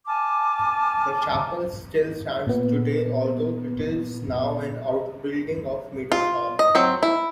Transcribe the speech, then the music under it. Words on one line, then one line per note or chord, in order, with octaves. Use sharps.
The chapel still stands today although it is now an outbuilding of Meadow Farm.
G#5 A5 D6 F6
A#2 B3
F4
D#5
F#3 C4
E4